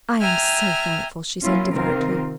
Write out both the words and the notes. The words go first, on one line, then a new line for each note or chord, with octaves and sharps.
"I am so thankful," she said devoutly.
E5 G5 G#5 A#5 F6
F#3 A#3 C#4 E4 F4
C3 D#3 C4 F4 A#4